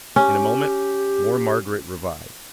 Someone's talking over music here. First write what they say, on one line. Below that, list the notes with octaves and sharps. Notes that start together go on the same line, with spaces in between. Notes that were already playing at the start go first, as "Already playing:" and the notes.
In a moment more Margaret revived.
C#4 G4